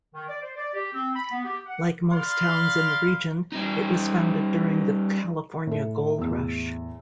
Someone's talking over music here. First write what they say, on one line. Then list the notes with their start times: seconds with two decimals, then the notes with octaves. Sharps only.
Like most towns in the region, it was founded during the California Gold Rush.
0.14 D#3
0.28 D5
0.41 C5
0.57 D5
0.74 G4
0.93 C4
1.15 B5
1.31 B3
1.45 G4
1.66 F#5
2.12 D5 F5 B5 C6
3.52 G3 D#4
5.67 A2 A4
6.19 E2 A2 E6